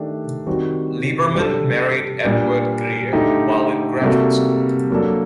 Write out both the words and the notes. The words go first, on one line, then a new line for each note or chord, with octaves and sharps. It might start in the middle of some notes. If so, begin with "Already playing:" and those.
Lieberman married Edward Greer while in graduate school.
Already playing: D#3 A3 D4 G4
D#3 G3 C4 F#4
G3 D4 A4
A#2 G3 D4
D3 A3 D#4 G4
C3 G3 A#3 F#4 A4
F#3 A#3 D4 A4